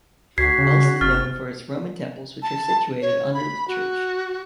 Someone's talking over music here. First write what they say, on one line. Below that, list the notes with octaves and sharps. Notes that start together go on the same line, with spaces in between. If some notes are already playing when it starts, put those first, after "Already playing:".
Elst is known for its Roman temples, which are situated under the church.
D2 F#4 G#6 B6 C7
C#3
F#1 F6 A6
A5
C#5
B5
F#4